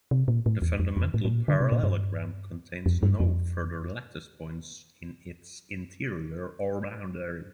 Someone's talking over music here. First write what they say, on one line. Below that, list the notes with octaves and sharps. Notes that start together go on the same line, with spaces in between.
The fundamental parallelogram contains no further lattice points in its interior or boundary.
C3
A#2
A2
E2
F2
F2
A2
A2
A#2
D3
C3
A#2
G2
F2
G2
F2